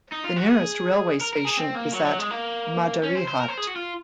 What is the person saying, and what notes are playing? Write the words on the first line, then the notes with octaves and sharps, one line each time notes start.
The nearest railway station is at Madarihat.
D#4
F4
F#4
G#4
A#4
A#4
G#4
C4
A#3
F#3
F#3
G#3
A#3
C#4
C5
C5
A#4
C5
G#4
F#4
F4